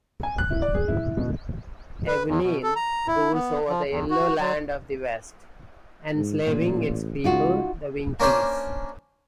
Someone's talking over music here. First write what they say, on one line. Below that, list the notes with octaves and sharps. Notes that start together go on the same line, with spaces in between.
Evillene rules over the yellow land of the west, enslaving its people, the Winkies.
G#5
F#6
E4
D5
G#4
E4
B2
B4
E2
B2
A4
A#5
E4
B3
F3
E2
F#4
F#3
G#2
A1 A#2
C#2 D#4 F4 F#4
A#3 C#4 D4 C5